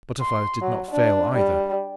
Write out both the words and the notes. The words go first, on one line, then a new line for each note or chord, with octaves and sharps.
Butterflies did not fail either.
C6
F#3
D4
G3